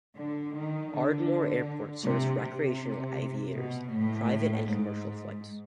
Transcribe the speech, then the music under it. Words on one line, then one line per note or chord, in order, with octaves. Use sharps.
Ardmore Airport serves recreational aviators, private and commercial flights.
D3
D#3
D3
C3
C3
B2
A2
G#2